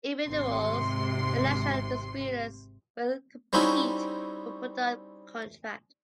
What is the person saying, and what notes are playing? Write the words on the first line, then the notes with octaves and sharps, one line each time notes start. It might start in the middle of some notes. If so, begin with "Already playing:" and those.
Individuals and national distributors will compete for product contract.
G#1 C3 C6
G3 C4 C#4 D#4 E4 F#4